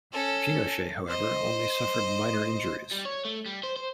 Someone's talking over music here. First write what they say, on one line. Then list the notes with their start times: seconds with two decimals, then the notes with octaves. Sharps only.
Pinochet, however, only suffered minor injuries.
0.13 C#4 A4
1.08 C5 D#5
2.92 G3
3.06 C#5
3.25 A3
3.46 G3
3.63 C5
3.76 C5